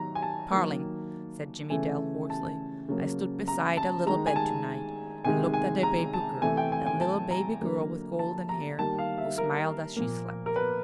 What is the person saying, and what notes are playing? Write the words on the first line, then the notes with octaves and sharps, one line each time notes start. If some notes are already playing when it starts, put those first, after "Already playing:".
"Carling," said Jimmie Dale hoarsely, "I stood beside a little bed to-night and looked at a baby girl--a little baby girl with golden hair, who smiled as she slept."
Already playing: D#3 F#3 A#5
G#5
A5
D#3 F#3 A#3
C#3 E3 A3 G#5
A5
C#3 F#3 A#3
A#5
A5
D#3 G#3 A#5
G#5
A5
C3 D#3 G#3 G#5
G#5
A#5
A5
C3 E3 A3 G#5
G5
G#5
G#5
A5
A#5
D3 F#3 A#3
A5
A#5
D#3 G3 A#3 A5
F5
E5
A#4
A#2 F3 A#3
A#4
B4